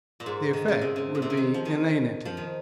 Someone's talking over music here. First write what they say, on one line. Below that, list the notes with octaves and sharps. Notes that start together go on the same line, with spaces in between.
The effect would be inanity.
A#2
G#2
D#3
C#3
C3
C#3
A#2
C3
C#3
D#3
F3
D#3
F3
D#3